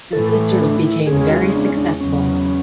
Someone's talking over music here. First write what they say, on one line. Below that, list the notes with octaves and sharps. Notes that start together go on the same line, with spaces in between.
The sisters became very successful.
A2 E3 A3 A4
D4
E4
E2 C#3 G#3 C#4 G#4
G#4
F#4
D4
D4
E2 C#3 F#3 B3 C#4